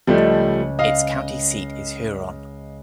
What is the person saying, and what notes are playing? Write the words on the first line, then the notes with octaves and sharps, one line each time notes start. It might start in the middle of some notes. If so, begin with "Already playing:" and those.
Its county seat is Huron.
C#2 F3 G3 A3
D#5 F5